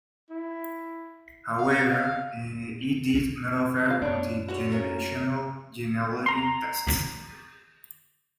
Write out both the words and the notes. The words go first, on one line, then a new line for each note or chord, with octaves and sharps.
However, it did not offer multi-generational genealogy tests.
E4
F5
F4 F5
F#2 D4 C#5
D2 D3 F#4 C#5
C3 A#3 C#4
A#5 C6